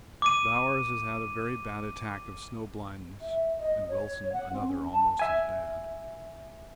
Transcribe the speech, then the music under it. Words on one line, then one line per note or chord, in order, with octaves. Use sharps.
Bowers has had a very bad attack of snow blindness, and Wilson another almost as bad.
D6 D#7
E5
D#5
C#5
F#5
C4
C#4
A5
E5 G#5